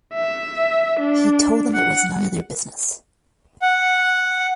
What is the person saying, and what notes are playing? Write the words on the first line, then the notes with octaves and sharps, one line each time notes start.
He told them it was none of their business.
E5
D4
F#5
F#5